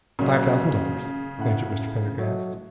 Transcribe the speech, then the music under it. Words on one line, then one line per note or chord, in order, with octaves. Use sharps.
"Five thousand dollars," answered Mr. Pendergast.
A#2 C#3 F#3 D#5
A2 E4 F#5
F#3 A3 D#5